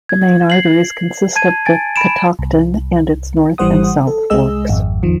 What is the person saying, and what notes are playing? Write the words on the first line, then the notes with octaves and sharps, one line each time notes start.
The main arteries consist of the Catoctin and its North and South Forks.
G#6
C7 F#7
A5 G#6 D#7
G#5 A6 D7
B5 D7 E7
C2
G#1 E3 G3 C5 F#5 D#6
A4
C2 G#3 G#4 D#5 E6
G#1 F2
E2 D#3 F3